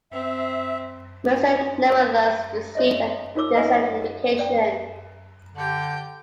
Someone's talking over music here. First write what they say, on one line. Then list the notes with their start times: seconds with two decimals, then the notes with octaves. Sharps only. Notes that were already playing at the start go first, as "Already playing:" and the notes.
Mercier nevertheless received a decent education.
0.12 C4 E5
2.00 F5
2.75 C#5 D#5 E5
3.35 D#4 F4 A#4 C#5 D6 E6
3.55 B4 C#5 D#5 E5 G#5 A#5
4.39 D5 G5 A#5
5.54 D3 G4 G5